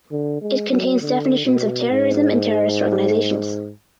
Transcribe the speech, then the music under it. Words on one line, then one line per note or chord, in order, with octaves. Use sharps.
It contains definitions of terrorism and terrorist organizations.
D3
G#3
F#3
D3
B2
G#2